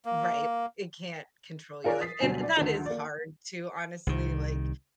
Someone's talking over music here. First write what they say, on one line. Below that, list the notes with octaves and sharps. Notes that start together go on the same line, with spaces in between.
Right, it can't control your life, and that is hard to honestly, like,
A#3
F4 G#4 A#4 C#5 D5 G#5
D#6 A6 B6 C7
D2 B2 F#3 G3 G#5
D5
D2 D#3
A#3 D5
C2 D#3